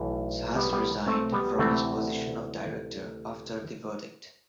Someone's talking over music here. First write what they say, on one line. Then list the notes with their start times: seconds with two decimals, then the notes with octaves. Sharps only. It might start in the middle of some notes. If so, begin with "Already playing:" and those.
Sas resigned from his position of director after the verdict.
Already playing: B1 A2 E3
0.55 G3 B3
0.73 G3 B3
1.07 A3 C4
1.32 G3 B3
1.58 D2 C3 E3 A3 C4